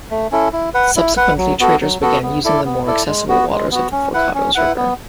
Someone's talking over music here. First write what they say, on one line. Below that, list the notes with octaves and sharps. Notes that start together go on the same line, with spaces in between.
Subsequently, traders began using the more accessible waters of the Forcados River.
A3
C#4 E4 A4
E4
B4 F#5
E4
B4 F#5
F#3
B3 F#4 A4
F#3
B3 F#4 A4
B3
E4 A4 D5
B3
E4 A4 D5
G#3
B3 F#4
G#3
B3 F#4
C#4
E4 B4 F#5
C#4
E4 B4 F#5
B3